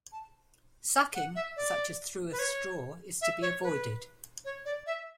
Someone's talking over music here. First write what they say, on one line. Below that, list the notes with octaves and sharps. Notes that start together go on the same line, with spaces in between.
Sucking, such as through a straw, is to be avoided.
A5
F#5
E5
D5
B4
C#5
E5
C#5
B4
C#5
D5
E5